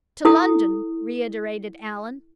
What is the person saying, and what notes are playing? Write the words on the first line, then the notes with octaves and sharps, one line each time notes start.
"To London!" reiterated Allan.
E4 A4 D#6